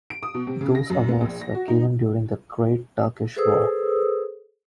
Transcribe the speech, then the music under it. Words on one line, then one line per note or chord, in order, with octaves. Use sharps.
Those awards were given during the Great Turkish War.
D7
D#6
B2
C3
C#3
A#6
F#2
B3
A#1
A#6
F#4
D#4
G#4 A4 B4 C5 D#6 E6